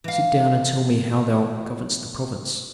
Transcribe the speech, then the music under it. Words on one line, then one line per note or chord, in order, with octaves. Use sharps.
"Sit down and tell me how thou governest the province."
E3 F5